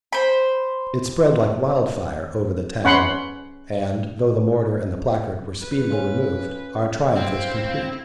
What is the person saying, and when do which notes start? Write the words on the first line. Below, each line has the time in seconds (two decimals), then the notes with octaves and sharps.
It spread like wildfire over the town, and, though the mortar and the placard were speedily removed, our triumph was complete.
0.12 C5 B5
2.85 C#4 F#5 B5 C6
5.62 B4
5.90 C#4 F4
7.16 C4 E4 F5